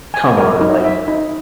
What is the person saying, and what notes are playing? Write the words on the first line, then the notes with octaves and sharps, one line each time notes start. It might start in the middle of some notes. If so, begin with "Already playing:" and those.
come on, like
G#5
A#4
D#4
E5
D#4